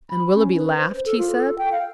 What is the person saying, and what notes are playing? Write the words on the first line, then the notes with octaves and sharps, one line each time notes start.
"And Willoughby laughed?" he said.
B5
C#4
B4
C5
A4
F4
A4
G5
F5